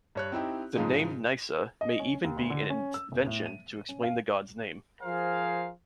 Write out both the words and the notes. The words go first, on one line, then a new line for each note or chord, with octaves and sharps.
The name "Nysa" may even be an invention to explain the god's name.
G2 C#5 F#6
C4 D#4 E4 G4
G#2 C#3 F3 G#3 D#4
D#5
C#4
D#2
D2
D3
C#4
E6
E1
A2
D#7
C#4
F5
F3 G#4 A#4 C5 F5